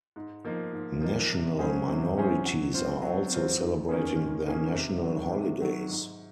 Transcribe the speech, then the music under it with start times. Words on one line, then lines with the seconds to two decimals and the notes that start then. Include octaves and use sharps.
National minorities are also celebrating their national holidays.
0.16 G#2
0.44 F3 A#3 D#4
0.73 G#2
1.01 F3 A#3 D#4
1.31 C3
1.59 F#3 C#4 G#4 C5
1.88 C3
2.17 F#3 C#4 G#4 C5
2.46 F#3
2.74 C4 F4 C5
3.02 F#3
3.32 C4 F4 C5
3.59 G#2
3.89 D#3 A#3 C#4 G#4
4.17 G#2
4.45 D#3 A#3 C#4 G#4
4.74 C3
5.03 D#3 F#3
5.31 C3
5.61 D#3 F#3
5.89 G#2